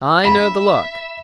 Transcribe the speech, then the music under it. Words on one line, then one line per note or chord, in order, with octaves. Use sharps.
"I know the look."
E5 B5